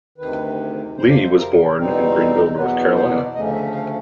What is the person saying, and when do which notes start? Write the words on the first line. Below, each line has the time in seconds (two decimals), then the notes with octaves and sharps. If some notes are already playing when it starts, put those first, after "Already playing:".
Lee was born in Greenville, North Carolina.
0.18 D2 C3 D#3 B4
0.97 F2 C3 F3 C5
1.10 D5
1.23 C5
1.37 A#4
1.77 E2 B2 G3 C4 D#4
2.16 A4
2.35 A#4
2.56 E2 B2 F#3 B3 B4
2.95 C5
3.15 D5
3.34 D2 C#3 F3 A3 C#4 D#5
3.54 E5
3.74 F5